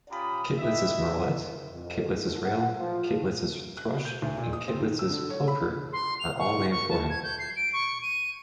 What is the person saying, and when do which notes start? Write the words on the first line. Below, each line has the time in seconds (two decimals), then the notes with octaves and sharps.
Kittlitz's murrelet, Kittlitz's rail, Kittlitz's thrush and Kittlitz's plover are all named for him.
0.11 C#4 F4 G4 A#5 B5 D#6
0.58 E4 G4 D#5 E5
1.72 F2
2.09 G#2
2.44 F#5
2.77 F3
3.77 F#6
3.93 B2
4.05 G6
4.22 D2
4.37 A#2
4.53 D#6
4.68 C4
4.80 D#3
4.99 E6
5.11 D3
5.30 C#5
5.48 B5
5.92 C6
6.19 F7
6.38 C#6
6.70 C#6
6.89 A5
7.09 G#6
7.23 G6
7.39 C7
7.56 D7
7.73 C#6
8.02 D#7